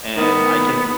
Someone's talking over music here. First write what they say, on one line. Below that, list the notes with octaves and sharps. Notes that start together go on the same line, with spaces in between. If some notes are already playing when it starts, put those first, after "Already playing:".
And I can
D#3 B3